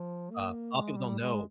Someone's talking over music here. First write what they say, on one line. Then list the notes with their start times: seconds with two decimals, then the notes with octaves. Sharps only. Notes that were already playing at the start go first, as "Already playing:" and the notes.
Uh, lotta people don't know
Already playing: F3
0.31 A#3
0.76 G#3
0.97 G3
1.19 G#3